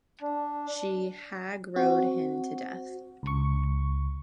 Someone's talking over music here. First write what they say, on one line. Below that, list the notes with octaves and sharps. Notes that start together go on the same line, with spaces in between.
She "hag-rode" him to death.
D4
C4 F#4
C#2 C#6